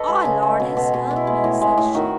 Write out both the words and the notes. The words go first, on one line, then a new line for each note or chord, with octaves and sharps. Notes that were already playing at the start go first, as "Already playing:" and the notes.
"OUR LORD has helped me," said she.
Already playing: A4 B4 C#5 D#5
G#3
C#3
G#3
B2
B2
B2 G#4
B2
E4
G#3
A2
G#3
A2
D#3 F#4